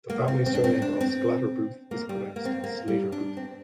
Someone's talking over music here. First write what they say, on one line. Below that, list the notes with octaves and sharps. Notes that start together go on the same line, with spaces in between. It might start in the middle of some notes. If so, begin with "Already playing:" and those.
The family surname of Sclater-Booth is pronounced "Slater-Booth".
A#3
C4
C4
D4
C4
D4
C4
A#3
G3
A#3
C4
A#3
G3
D4
C4